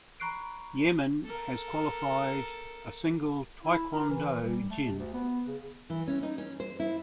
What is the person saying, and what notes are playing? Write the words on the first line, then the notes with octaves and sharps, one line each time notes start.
Yemen has qualified a single taekwondo jin.
A#5 B5 C#6 F#6 C7 D7
A4 A#4
E4
A#4
E3
G3
A3
C3
D2
B3
C#3
E3
C#4
D#4
C#4
C5
E4